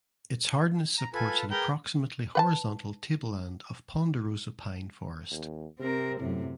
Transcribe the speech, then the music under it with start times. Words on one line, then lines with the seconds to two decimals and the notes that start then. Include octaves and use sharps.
Its hardness supports an approximately horizontal tableland of Ponderosa Pine forest.
0.98 A#5
1.14 F4 A4 B4 G#5
1.51 G#4 A#4 B4 G5
2.35 B4 F#5 A5
5.31 D#2
5.79 C3 C4 A#4
6.20 F#2 A2 C3